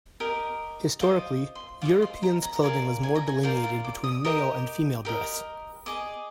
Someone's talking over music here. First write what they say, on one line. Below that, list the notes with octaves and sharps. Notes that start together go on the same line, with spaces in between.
Historically, Europeans clothing was more delineated between male and female dress.
G4 A#4 D#5
F4 C5 D#5 D6
C6
F4 C5 D#5 D6
C6
A#5
A#5
A#5
F4 A#4 D5 G#5
G#5
A#5
G#5
F4 A#4 D5 G5
F5
D6
D#6
G4 A#4 D#5 D#6
G4 A#4 D#5
G#4 D#5 D6